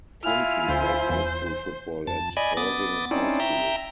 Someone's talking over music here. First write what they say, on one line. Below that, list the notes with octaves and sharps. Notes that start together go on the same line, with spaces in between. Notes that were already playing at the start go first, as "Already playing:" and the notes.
Thompson played high school football at Irving High School.
E4 F4 G#5 F6
D2 C5
E2
F2 A5
D5 D#5 G#5 B5
B3 D6 D#6 A6
C4 C#4 D#4 E4 D5
E5 G5 A#5